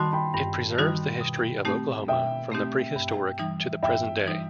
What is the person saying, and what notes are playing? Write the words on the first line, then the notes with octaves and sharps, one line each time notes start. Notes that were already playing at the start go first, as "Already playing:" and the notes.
It preserves the history of Oklahoma from the prehistoric to the present day.
Already playing: D#3 G3 D#4 F#4 A5 B5 C6
G5 B5
G2 G5 B5
D#3 G3 D#4 F#4
B2
A3 C4 D#4 G4
B2 E5 G5
A3 C4 D#4 G4
G2
E3 G3 D#4
G2 E5 G5
E3 G3 D#4